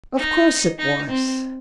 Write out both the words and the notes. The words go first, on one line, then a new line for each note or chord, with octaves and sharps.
"Of course it was!"
D#4
D#4
C4